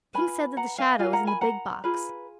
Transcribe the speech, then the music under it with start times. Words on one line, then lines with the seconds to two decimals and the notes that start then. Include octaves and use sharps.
Tink said that the shadow was in the big box.
0.14 F4 B4 G#5 B5
0.57 F#5 A#5
0.78 F5 G#5
0.99 F4 A#4 F5 G#5
1.13 F#5 A#5
1.27 G#5 B5
1.41 F#5 A#5
1.84 F4 G#4 B4